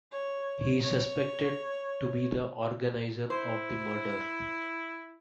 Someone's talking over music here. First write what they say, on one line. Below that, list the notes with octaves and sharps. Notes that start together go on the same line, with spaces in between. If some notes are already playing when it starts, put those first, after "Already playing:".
He is suspected to be the organizer of the murder.
C#5
C#5
E4 C5